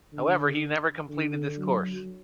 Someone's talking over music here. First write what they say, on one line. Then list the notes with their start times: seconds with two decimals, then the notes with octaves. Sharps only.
However, he never completed this course.
0.12 D3
1.09 D3
1.57 F#3